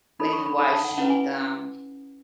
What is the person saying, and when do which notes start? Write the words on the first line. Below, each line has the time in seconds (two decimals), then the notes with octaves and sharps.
maybe why she, um,
0.20 D#4 A4 C#5 B5
0.33 C#6
0.46 B5
0.58 D#4 A4 C#5 B5
0.72 A5
0.85 F#5
0.97 C#4 E4 B4 F#5
1.10 G#5